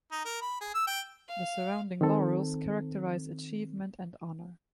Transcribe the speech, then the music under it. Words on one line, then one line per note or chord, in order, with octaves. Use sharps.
The surrounding laurels characterize achievement and honor.
D#4
A#4
B5
G#4
E6
G5
F5
D#3 C4 A4